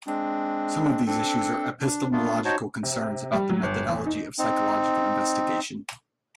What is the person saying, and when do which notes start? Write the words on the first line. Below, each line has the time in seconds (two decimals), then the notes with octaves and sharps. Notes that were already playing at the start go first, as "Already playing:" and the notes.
Some of these issues are epistemological concerns about the methodology of psychological investigation.
0.07 G#3 C4 D4
1.06 C4 D4 A4
1.81 D4
2.12 A3 B3 D4 F4
2.45 D#4 F#4 C5 C#5 A5
2.83 C3
3.33 G3
3.50 F#3
3.63 G1
3.88 E2
4.06 D#4
4.39 C4 D#4